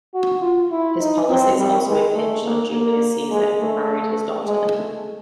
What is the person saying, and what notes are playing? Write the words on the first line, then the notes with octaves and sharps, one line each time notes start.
His policies also impinged on Julius Caesar, who married his daughter.
F#4
F4
E4
D#4
C4
G3
G#3
A3
A#3
A#3
G#3
A3
G#3
A3